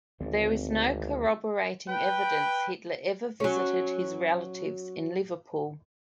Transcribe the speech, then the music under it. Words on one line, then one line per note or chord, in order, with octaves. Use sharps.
There is no corroborating evidence Hitler ever visited his relatives in Liverpool.
G#1 D2 C4
B4 G5
F#3 C#4